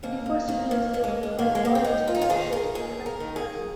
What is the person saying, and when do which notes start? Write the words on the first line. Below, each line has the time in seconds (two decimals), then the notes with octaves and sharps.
In the first years, they were quite loyal to the Social Democratic Party.
0.03 D#2 A#3
0.26 A#3
0.48 D#3 A#3
0.71 A#3
0.93 D#2 A#3
1.04 G#3
1.23 G#3
1.39 D#3 A#3
1.55 G#3
1.65 A#3
1.75 C4
1.84 D#2 D#4
2.08 F4
2.15 D#4
2.22 F4
2.30 D#3 G#4
2.53 A#4
2.75 D#2 G#4
3.06 A#4
3.20 D#3
3.36 G#4